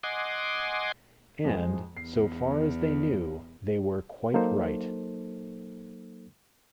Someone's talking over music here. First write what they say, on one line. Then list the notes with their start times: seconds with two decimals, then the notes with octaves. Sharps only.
And, so far as they knew, they were quite right.
0.03 D#5 F#5 G#5 C6 D6
1.44 F2 F3 G#3
1.97 E2 C7
4.34 F#3 A#3 D#4 A4 C5